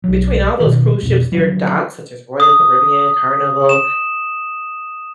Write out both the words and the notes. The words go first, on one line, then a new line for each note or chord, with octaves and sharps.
between all those cruise ships, they're docked, such as Royal Caribbean, Carnival,
B1 F#3
B2 D#3
F2 B2
D3 F#3 G3
D#6
E7